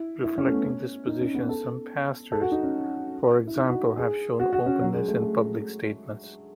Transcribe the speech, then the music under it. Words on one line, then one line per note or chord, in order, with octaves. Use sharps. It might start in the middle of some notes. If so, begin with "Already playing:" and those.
Reflecting this position, some pastors, for example, have shown openness in public statements.
Already playing: E4
E4
C#4
A3
B3
C#4
D#4
C#4
B3
A4
A4
F#4
D#4
C#4
E4
D#4
F#4
G#4
F#4
F#4
C#4
F#3
G#3
A3
A3